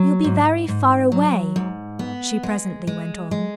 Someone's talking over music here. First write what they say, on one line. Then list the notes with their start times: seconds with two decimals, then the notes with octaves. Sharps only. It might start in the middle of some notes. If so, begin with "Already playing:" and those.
"You'll be very far away," she presently went on.
Already playing: F#3
0.24 G#2
0.68 G#2
1.12 F#3
1.56 G#2
1.99 B3
2.43 G#3
2.87 G#3
3.31 G#3